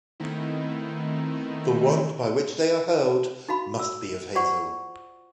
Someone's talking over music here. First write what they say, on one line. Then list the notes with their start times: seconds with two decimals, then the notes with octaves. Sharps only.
The wand by which they are hurled must be of hazel.
0.20 D#3 A3 B3 C4 D#4 E4
3.49 D#4 F#4 F5 B5
3.79 E6
4.35 F4 C5 D5 F#5 C#6